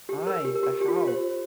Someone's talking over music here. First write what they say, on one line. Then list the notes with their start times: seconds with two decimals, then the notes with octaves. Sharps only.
Ay, but how?
0.09 G4
0.27 A#4
0.45 G4
0.55 A#4
0.63 G4
0.81 G4
0.88 F4
0.96 G4
1.07 C5